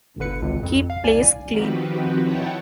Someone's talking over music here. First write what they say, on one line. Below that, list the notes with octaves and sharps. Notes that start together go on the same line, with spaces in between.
Keep place clean!
G1 D3 B4 C#7
G#1 C#2
F2
F5
C2 D5 G#5
D#3 F3 C4 F#4 G4 B4
D#4 E4 C#5 F#5 G5 A5